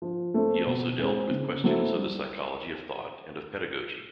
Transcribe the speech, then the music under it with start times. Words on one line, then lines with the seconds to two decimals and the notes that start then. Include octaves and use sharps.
He also dealt with questions of the psychology of thought and of pedagogy.
0.02 F3
0.34 A3 C4
0.66 B2
0.99 G#3 C4
1.31 C#3
1.64 F#3 A3 C4 E4
1.95 G3